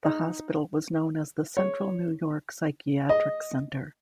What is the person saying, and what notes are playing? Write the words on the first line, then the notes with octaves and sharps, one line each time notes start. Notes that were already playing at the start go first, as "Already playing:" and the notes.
The hospital was known as the Central New York Psychiatric Center.
D#4
C#5
D#5